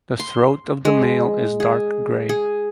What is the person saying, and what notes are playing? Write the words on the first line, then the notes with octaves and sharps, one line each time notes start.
The throat of the male is dark grey.
C6
G#3
G#4
G#4